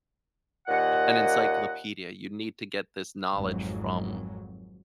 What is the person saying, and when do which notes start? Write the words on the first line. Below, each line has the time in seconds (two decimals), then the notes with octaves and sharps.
an encyclopedia you'd need to get this knowledge from,
0.68 D#2 A#2 D#5 F#5
3.34 G#1 F2 G#2 F#3